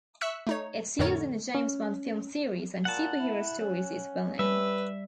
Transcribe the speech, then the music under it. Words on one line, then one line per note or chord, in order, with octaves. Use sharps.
Its use in the James Bond film series and superhero stories is well known.
E5 C#6 E6 F#6 B6 C#7
A3 D#4 C#5
F2 A2 D3 A#4 C#5 A6
C#4
A#2 F#5 A5
E4
C#4
G3 B4 E5